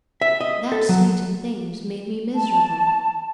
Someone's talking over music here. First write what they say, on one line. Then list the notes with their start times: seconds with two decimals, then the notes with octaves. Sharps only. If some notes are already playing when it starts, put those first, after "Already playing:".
That state of things made me miserable.
0.21 E5
0.41 D#5
0.72 A4
0.89 F#3
2.35 A5